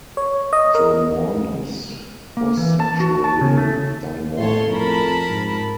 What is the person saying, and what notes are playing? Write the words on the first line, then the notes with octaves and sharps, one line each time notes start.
"Dromornis" was sexually dimorphic.
C#5
D#5
A#4
A#3
E3
A5
F#4
A5
C#3
A3
A2 C#5 A5 C6
F2 A#4 A5 B5
G#2